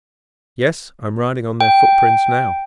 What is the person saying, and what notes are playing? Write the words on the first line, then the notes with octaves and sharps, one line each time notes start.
"Yes, I'm riding on their footprints now."
G5